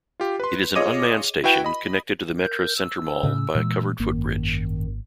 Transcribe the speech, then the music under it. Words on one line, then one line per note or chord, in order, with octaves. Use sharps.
It is an unmanned station, connected to the MetroCentre mall by a covered footbridge.
F4 G4
B4 C6
F4 G#4 C#5 D#5 D6 D#7
E4 F#4 B4 G5
D#5 B5
A#4 G6
E6
A2 C#3
A#2 E3 G#3
G#1 F#2 D#3 A#3